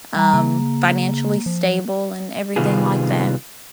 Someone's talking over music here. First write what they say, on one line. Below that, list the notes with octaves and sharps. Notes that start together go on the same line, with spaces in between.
um, financially stable, and everything like that.
G3 A#5
C#3 A#3
F3
C3 D#3 G3 B3 F4 G#4